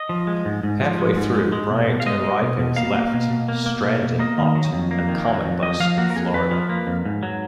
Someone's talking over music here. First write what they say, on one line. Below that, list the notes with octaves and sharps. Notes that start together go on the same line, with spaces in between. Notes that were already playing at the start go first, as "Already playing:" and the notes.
Halfway through, Bryant and Rypins left, stranding Ott and Cometbus in Florida.
Already playing: D#5
F3
G#3
G#2
G#2
F3
G#3
G#2
G#3
G#3
B2
B2
F5
G#3 D#5
G#3
B2
B2
A#3 F5
A#3
B2
B2
A#3
A#3
B2
B2
A#3 D#5
D#3
F#3
F2
A#3
D#3
F#3
F2
F2 D#5
F3 F5
A#3 F#4
A#4
F2 G#4
F2 B4
F3
A#3
F2
G#2
F#3